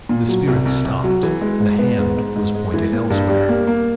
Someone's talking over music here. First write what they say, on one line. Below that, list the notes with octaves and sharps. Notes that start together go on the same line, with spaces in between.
The Spirit stopped; the hand was pointed elsewhere.
A#2
F#3
C2
C2
C2
F#3
E3
G#3
G#2
B3
G#2
G#2
G#2
G#3
E3
A#3
G2
G3
A#3
A#3